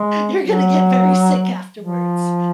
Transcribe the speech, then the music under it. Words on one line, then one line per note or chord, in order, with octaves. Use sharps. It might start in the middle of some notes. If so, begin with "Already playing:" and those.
you're gonna get very sick afterwards.
Already playing: G#3
F#3
F3